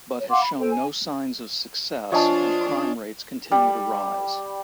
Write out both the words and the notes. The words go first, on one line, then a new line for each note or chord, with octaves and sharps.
But has shown no signs of success and crime rates continue to rise.
C#5
F5 F#5 C6 D6
B5
A4 C5 G5
G#5
F3 D4 F4 C#5 D#5 G#5 A5
G3